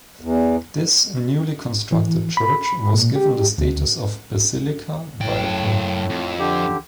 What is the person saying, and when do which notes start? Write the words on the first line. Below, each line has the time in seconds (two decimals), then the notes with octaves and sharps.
This newly constructed church was given the status of basilica by the pope.
0.21 E2
1.92 E3
2.37 B5
2.94 A#2
3.16 G4
3.58 D2
5.21 F#2 A2 G5
6.09 F2
6.39 D3 G4